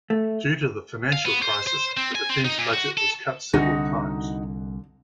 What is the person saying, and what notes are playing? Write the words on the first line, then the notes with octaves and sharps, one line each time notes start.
Due to the financial crisis, the defence budget was cut several times.
A3
F5
B3
C5
C5
C4
G#5
C4
D#4
A#2
F#4
A4
C2 D3 D#4 F#4